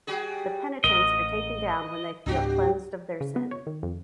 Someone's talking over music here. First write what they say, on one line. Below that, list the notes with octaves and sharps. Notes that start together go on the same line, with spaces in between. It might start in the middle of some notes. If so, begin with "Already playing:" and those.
The penitents are taken down when they feel cleansed of their sin.
G3 F#4 G#4
A1 A#4 D#5
C#2 G#2 C4 D4 F#4 G4
C#3
B3
C#5
D#3
F2